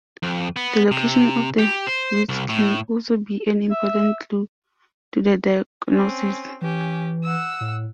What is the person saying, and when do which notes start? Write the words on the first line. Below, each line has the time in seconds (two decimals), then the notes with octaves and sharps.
The location of the wheeze can also be an important clue to the diagnosis.
0.23 F2
0.56 B3
0.91 C3
1.59 G4
1.87 C5
2.29 C2
2.49 A2
3.71 E5
5.89 C4 C#4
6.61 E3 C#4 G4
7.24 F#5 E6
7.61 A2